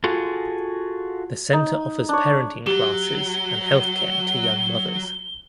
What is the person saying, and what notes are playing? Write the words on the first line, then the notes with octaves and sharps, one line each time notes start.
The centre offers parenting classes and health care to young mothers.
F4 F#4 G#4 A4
D#4
D4 C#5
F#3 G4 G7